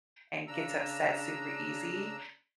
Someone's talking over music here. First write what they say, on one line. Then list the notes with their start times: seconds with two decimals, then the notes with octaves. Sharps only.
and gets upset super-easy,
0.47 C#3 D4 A#5 E6